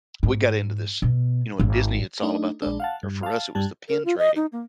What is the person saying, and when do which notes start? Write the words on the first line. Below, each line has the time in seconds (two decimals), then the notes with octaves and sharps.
we got into this. You know, at Disney, it's all about the or for us, it was the pin trading,
0.23 G#2
1.02 B2
1.60 G#1
2.22 A3 D4 D#4
2.62 A#1 G#3 D4
2.80 F5 F#5 A5
3.03 G2
3.23 F5 A5
3.55 G2 G3 A5
3.89 A#4
4.05 F4
4.18 D#5
4.36 D#4
4.52 A#3